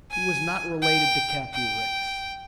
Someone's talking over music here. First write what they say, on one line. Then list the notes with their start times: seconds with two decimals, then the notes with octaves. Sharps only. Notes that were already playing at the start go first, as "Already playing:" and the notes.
He was not related to Cappy Ricks.
0.11 G#5
0.82 G5
1.54 G5